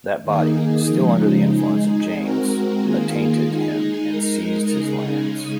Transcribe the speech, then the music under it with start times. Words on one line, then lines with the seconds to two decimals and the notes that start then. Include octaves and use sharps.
That body, still under the influence of James, attainted him and seized his lands.
0.23 D#3 A#3 D#4 G#4
0.87 C#3 F3 G#3 D#4
1.51 G#3 D#4 G#4
2.15 G#3 C4 F#4 A#4
2.79 D#3 A#3 F4 G#4
3.43 G#3 D#4 G#4
4.06 G#3 D#4 A#4
4.70 C#3 G#3 D#4 G#4